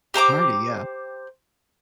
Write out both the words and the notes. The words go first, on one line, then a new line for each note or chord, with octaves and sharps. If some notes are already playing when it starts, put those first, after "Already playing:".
Hardy, yeah.
G4 C5 A#5 D6